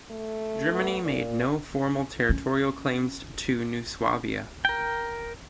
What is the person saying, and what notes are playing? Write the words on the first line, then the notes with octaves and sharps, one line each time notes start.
Germany made no formal territorial claims to New Swabia.
A3
B3
A#2
C#4
A#4 G5